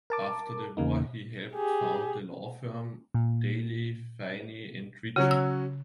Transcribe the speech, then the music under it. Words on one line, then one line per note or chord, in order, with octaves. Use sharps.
After the war he helped found the law firm, Daley, Phinney and Ritchie.
A#4 A5 D6
E2 C#3 A#3 D#4
G4 G#4
A#2
C#3 F#3 C#4 F#4
E6